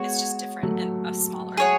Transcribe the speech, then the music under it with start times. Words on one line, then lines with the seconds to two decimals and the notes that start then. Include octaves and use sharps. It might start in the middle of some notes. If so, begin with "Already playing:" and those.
it's just different and a smaller
Already playing: G#3 B3 F#4 C#5
0.63 F#3 A3
1.57 G#4 C#5 F#5